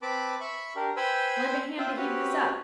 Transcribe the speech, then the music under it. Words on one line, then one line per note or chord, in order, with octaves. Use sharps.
'Lend a hand to heave this up.
C4 B4 A5 B5 D6
E5 B5 C#6
D4 G4 A#4
B4 C5 G5 G#5 B5 E6
C4 F4 C5 E5
C4 C#4 F#4 G4 B4 C#5